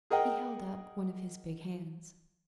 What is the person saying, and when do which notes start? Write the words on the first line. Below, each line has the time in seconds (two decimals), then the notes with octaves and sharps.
'He held up one of his big hands.
0.10 G#4 A#4 D#5 F#5 G5